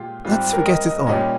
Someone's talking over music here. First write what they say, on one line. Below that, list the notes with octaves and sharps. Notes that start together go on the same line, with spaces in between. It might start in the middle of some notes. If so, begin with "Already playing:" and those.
Let's forget it all.
Already playing: A#2 G#3 F4 G4
G#2 G3 C4 F4
A#4
D#5
D#5
A#2 G3 C#4 D#5